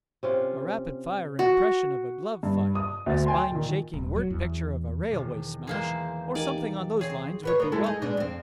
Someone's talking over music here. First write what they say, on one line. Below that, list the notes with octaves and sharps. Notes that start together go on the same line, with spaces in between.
A rapid-fire impression of a glove fight, a spine-shaking word picture of a railway smash, or something on those lines, would be welcomed.
C3 C#4 F4
F#4
G2
D#6
D2 A6
G5 G#5 C6
A#2 D#3
D#1
F#3
E2
E1 D#3
E3 G#3 A#3 C5
D#4 G4 A#4 D5 G#5
C4 G#4 C#5
B2 B4 C#5
A#3 B3
G#3 E4 A4
D#4 G#4
B2 G#3 D4
F2 C4